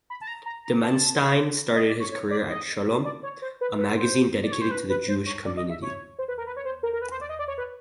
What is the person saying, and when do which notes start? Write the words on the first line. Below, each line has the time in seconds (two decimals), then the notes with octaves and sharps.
Dimenstein started his career at Shalom, a magazine dedicated to the Jewish community.
0.10 B5
0.21 A5
0.27 A#5
0.46 A#5
0.65 A#5
0.83 A5
1.75 D#5
1.87 D5
2.00 C#5
2.12 C#5
2.31 D5
2.49 D#5
3.05 D5
3.23 C#5
3.42 C5
3.61 B4
3.78 B4
3.97 C5
4.43 D5
4.52 C#5
4.62 C5
4.71 B4
4.90 B4
5.08 C5
5.26 C#5
5.45 D5
5.57 D#5
5.70 E5
5.82 C#5
6.19 C5
6.28 B4
6.38 A#4
6.47 B4
6.57 C#5
6.65 C5
6.83 A#4
6.93 A#4
7.02 B4
7.11 C5
7.21 D5
7.29 D#5
7.39 D5
7.48 C#5
7.58 B4